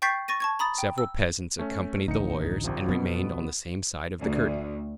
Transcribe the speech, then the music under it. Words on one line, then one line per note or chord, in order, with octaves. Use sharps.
Several peasants accompanied the lawyers and remained on the same side of the curtain.
G5 C#6 G6 A6 B6 C7
C#6 A6 A#6 D#7
A5 C#6 G#6
A#5 B5 D#6 A6
G5
E6
A3 C#4
A1 D2 D#4 C#7
G#1 C3 F3
F2 B2 B3
D2